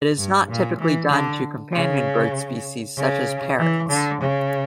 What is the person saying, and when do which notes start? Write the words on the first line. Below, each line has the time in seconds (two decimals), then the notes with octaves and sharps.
It is not typically done to companion bird species such as parrots.
0.18 G2
0.49 A#2
0.80 E3
1.10 D3
1.73 C#3
2.97 C#3
3.58 E3
3.89 D3
4.21 C#3